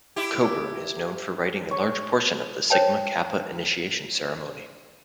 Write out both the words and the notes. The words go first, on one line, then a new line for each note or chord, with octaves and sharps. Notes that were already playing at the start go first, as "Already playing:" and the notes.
Coburn is known for writing a large portion of the Sigma Kappa initiation ceremony.
E4 G4
C#5
C5 C#5 G5 A5